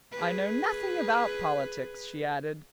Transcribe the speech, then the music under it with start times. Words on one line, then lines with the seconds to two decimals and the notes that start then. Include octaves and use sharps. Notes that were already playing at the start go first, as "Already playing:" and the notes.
"I know nothing about politics," she added.
0.12 G#4 B4